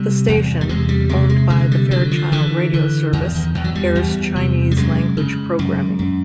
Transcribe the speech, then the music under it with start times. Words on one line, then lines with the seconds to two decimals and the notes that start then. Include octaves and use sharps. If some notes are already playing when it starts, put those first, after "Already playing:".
The station, owned by the Fairchild Radio service, airs Chinese language programming.
Already playing: C3 G3
0.28 E2
0.61 G3
0.69 C3 G#3
0.89 G3
1.09 C3 G#3
1.29 G#3
1.50 D3 G#3
1.71 G3
1.91 D3 F#3
2.11 F3
2.32 D3 E3
2.73 D3
3.13 E2 D#3
3.34 D#3
3.55 E2 E3
3.64 F#3
3.75 G3
3.95 E2
4.35 C3
4.71 G3
4.77 F#2 G#3
5.17 C#3
5.59 F#2
5.99 F#2